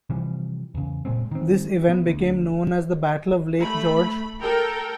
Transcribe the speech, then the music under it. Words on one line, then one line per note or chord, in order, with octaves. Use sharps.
This event became known as the Battle of Lake George.
C3 E3 F3 G3
E2 C#3
F#1 A#2 G#3 C4
D#3 C4
B3
D2
A3 B5
A4 A#4 G5